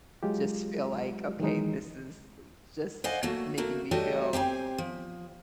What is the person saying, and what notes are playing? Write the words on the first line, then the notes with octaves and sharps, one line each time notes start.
just feel like, "Okay, this is, eh, just making me feel
F#3 G#3 F4 G4
D#3 E3 F#3 G#3 D#4
C5 D5 D#5 F5 F#5 G#5
F#3 A3 A#3 F#4
A3 A#3 F#4
F#3 G3 A3 F#4 C#5 D#5
C4 G4 C5 G#5
F3